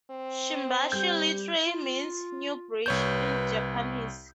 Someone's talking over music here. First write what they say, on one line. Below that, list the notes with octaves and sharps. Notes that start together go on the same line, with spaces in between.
Shimbashi literally means "Newbridge" in Japanese.
C4
G3 G6
F4
C2 B4 C#5 G6